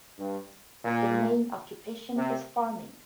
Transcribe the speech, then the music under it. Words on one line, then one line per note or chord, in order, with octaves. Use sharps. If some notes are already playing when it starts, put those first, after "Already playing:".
Their main occupation is farming.
G2
A#2
C3